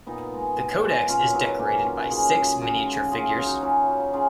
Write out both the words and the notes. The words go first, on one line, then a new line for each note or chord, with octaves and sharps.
The codex is decorated by six miniature figures.
A#2 B3 D#4
G#3
A#2
G#3
A#2 C#4 F4
F#3 B3 D#4
A#2 A#3 C#4
F#3 C#4 F4
C#3 F4 G#4
G#3
G#4
C#3 F#4 A#4
G#3
C#3 F4 G#4
F4 G#4
F#3
D#4 F#4
C#3 C#4 F4
F#3
C#3 F4 G#4